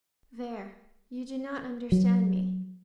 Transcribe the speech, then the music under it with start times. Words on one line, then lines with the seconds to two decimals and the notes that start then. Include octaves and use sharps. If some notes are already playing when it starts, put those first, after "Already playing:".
There--you do not understand me.
1.92 F#3